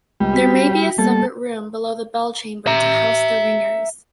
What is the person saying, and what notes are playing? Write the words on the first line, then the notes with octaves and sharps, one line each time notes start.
There may be a separate room below the bell chamber to house the ringers.
C#2 G3
C4 F#4 B6
G5
G3 A#3 B3 A4
E5 A#5